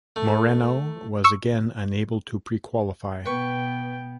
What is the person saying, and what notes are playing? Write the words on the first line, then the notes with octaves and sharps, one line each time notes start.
Moreno was again unable to prequalify.
A3
C#6 E6
B2 B3 B4 G5 C#6